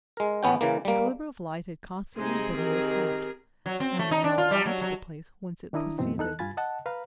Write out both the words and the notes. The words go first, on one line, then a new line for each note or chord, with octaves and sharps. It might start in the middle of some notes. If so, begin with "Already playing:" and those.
A glimmer of light had constantly been in their front, and they now arrived at the place whence it proceeded.
G#3 A#4
A1 B3 C#4 G5
C#3 E3 A#3
G3 A#3
C3 G#3 C4 D#4 G#4
D#3 G4 A#4
F#3
C4
A3
D#4
D4
F4
G3
F#3
F#3
D#3 D4 E4 A#5 D#6
F#2 B2 E3 C4 D#4
E2 D#4 A4 F#6
G2 F4 G#5 B5 A6
D#5 F#5 A5
B4 F5 A#5 B5